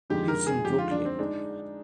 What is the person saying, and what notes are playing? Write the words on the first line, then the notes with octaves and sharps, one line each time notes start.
Lives in Brooklyn.
F2 D3 G#3 D#4 G4
A#4
G#4
F2 D3 G#3 D#4 G4
F4
D4
C4
G#3 D4 D#4 G#4